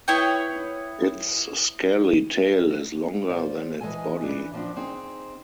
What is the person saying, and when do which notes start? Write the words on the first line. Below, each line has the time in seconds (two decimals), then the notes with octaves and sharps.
Its scaly tail is longer than its body.
0.08 B3 E4 C#5 G5
3.29 F4 C5 D5
3.81 E3 G#3 G#4 A4 G#5
4.23 E3 D4
4.54 F3 C4 D4
4.76 C4 D#4 G#4